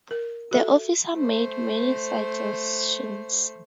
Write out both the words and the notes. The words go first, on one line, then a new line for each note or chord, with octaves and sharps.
The officer made many suggestions.
A#4
F#4 A4 E5
A3 C5